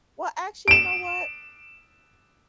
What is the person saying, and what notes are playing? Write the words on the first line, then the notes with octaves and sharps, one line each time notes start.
Well, actually, you know what?
D7 E7